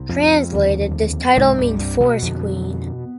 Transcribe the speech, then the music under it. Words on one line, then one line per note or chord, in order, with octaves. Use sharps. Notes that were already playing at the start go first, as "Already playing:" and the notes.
Translated, this title means Forest Queen.
Already playing: C2 C3
F2 F3
D#2 D3
C2 G#2 C3 G#3
G2 G3
G2 G3
B2 B3
F2 D3